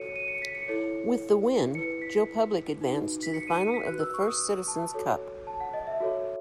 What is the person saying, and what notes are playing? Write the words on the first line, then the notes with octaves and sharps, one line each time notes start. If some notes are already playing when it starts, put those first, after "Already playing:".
With the win Joe Public advanced to the final of the First Citizens Cup.
Already playing: F#4 A4 C#5 C#7 D#7
D#7
C#7
B6
C#7
E4 A4 C#5
E4 B4 C#7
B6
D#4 F#4 B4
B6
C#7
D#7
C#7
B6
F#4 B4 F#6
E6
C#6
D#6
A5
F#4 A4 C#5
A5
F#5
D#5
E5
F#4 A4 C#5